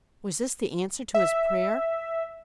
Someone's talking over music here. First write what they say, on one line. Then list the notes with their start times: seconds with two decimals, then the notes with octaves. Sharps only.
Was this the answer to his prayer?
1.14 E5